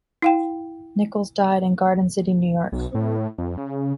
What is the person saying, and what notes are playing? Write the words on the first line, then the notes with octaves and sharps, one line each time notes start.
Nichols died in Garden City, New York.
E4 F5 G5
B1
A2
F2
C#3